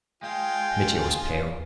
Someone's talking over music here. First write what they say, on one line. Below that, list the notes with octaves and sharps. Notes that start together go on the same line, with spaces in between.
Mitya was pale.
G#3 F4 G5